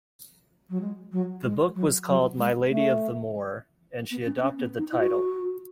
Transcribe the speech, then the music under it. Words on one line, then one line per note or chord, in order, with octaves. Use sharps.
The book was called "My Lady of the Moor", and she adopted the title.
F#3
G#3
F#3
G#3
F#3
F#3
G#3
A3
B3
C#4
B3
C#4
B3
D#4
E4
F#4